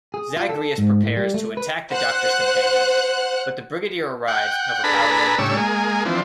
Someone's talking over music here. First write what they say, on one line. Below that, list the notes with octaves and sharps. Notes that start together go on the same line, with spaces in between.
Zagreus prepares to attack the Doctor's companions, but the Brigadier arrives and overpowers him.
G#4
F4
A4
G#2
A2
G3
A3
B4
C5 F#5 F#6
F#5 G5
D4 G#4 A4 B4 A#5 B5
A2 C#3 G3 D4 C#5 E6
G#3 A#3 G#4
E3 F3 C4 D4